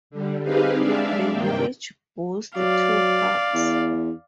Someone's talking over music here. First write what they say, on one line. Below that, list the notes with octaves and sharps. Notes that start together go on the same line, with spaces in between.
The village boasts two pubs.
D3 G3
C4 D#4 G4 G#4 B4 F5
G#3 D4 D5 E5 F5
G2 C3 D#3 A#3 G5
F#3 D5 F5
E2